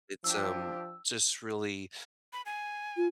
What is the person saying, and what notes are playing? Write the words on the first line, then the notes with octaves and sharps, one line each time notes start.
it's, um, just really
F3 D4 G4 E6
B5
G#5
F4